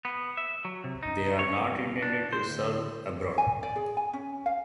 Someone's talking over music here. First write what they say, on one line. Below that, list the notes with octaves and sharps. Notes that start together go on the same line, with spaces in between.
They are not intended to serve abroad.
B3
E5
F#3
C3
D#4
C#5
C2
D4
C5
D2
G#5
D5
G#4
G#5
C#4
F5